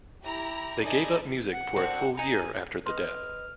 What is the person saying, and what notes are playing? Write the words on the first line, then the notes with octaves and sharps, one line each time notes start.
They gave up music for a full year after the death.
E4 G4 A#5
D#4 E4 D5 D#5 G#5 A5
F#5
C4 D4 F#4
D#4 G#5 A#5
B4 D#5 C6 F6